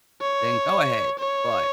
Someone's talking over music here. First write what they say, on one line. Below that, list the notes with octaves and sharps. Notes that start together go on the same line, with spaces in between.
then go ahead, but
C#5
C#5